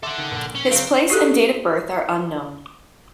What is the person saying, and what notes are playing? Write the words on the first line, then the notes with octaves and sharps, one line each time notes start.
His place and date of birth are unknown.
A4 E5 F#5 C6 D6
D#3
A#1
C#4
C#3 F#3 C4 F4
D#4 F#4 G4 A4